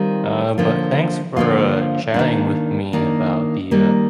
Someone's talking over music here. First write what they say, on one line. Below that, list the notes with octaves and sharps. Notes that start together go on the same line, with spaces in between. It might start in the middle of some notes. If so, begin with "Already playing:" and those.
Uh, but thanks for, uh, chatting with me about the, uh,
Already playing: D#3 G3 C4 F4
D3 F3 A#3 F4
D3 F3 A#3 F4
D#3 A#3 D4
D#3 A#3 D4
D#3 G3 A#3